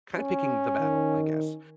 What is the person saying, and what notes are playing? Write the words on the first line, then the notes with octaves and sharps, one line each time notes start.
kinda picking the battle, I guess.
C#4
D#3